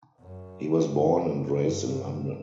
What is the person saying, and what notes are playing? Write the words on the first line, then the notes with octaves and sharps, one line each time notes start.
He was born and raised in London.
F#2
F#2
G2